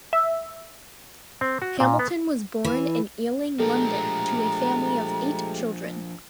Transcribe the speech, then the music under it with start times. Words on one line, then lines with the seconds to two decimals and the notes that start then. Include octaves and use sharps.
Hamilton was born in Ealing, London to a family of eight children.
0.13 E5
1.41 C4
1.62 F#4
1.80 A#2
1.99 B3
2.65 E3
3.60 F3 G#3 A3 D4 G4 A4 A#5